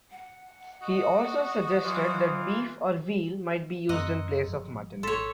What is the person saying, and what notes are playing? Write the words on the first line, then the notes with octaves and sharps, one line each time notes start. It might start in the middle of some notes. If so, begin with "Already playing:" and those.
He also suggested that beef or veal might be used in place of mutton.
F#5
F#4 D#5
E3 F#3 F4
F#2 F#3 C4 D#5 F#5 A#5 C6 E6
G1 G2 F3
A1 A4 C#5 C6 A6 B6